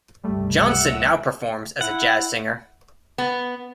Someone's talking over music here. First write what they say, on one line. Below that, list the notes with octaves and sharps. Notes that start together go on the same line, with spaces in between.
Johnson now performs as a jazz singer.
G1 C#2 C3 G3 A3
E5 F#5
E4 F#5
B3